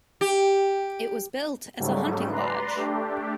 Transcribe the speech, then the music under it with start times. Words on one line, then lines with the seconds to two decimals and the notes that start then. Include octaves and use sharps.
It was built as a hunting lodge.
0.21 G4
1.79 G#2 C#3 F#3 G3 A3
2.30 B4 D5 A#5 C6
2.75 A3 D4 G4